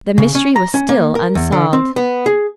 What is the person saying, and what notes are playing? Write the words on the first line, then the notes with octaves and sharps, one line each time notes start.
The mystery was still unsolved.
C#3
C#4
A#5
C#4
A#3
A#4
E2
D3
C4
B3
G#4